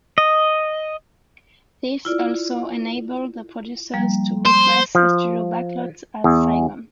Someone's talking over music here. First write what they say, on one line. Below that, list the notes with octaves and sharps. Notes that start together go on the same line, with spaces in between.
This also enabled the producers to re-dress a studio backlot as Saigon.
D#5
E4 F4 D5
F3 G3 A#3
C5
F3
E2